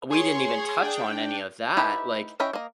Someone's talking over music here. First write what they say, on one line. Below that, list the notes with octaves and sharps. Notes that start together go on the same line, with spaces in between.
We didn't even touch on any of that. Like,
G#4 C#5 C6 C#6
D4 G5
D#4 E4 G4 B4
C#4 E4 D#5 E5 G5
A#3 D#5